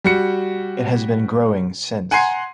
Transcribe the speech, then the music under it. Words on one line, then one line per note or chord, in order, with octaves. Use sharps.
It has been growing since.
G3 F#4 C#7
F#5 G#5 A#5 C6 C7